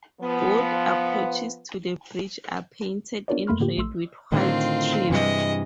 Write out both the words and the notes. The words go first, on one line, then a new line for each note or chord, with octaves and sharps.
Both approaches to the bridge are painted in red with white trim.
F3 B3
B3 D4 F4 A#4 C#5 D5
F2 A3 A#3 B5 C6 F6
A2 D3 A#3 F4 G4
A#1 A3 C6 E6
A2 D3 D#3 C4 F4
G2 C3 E3 G#3 D#5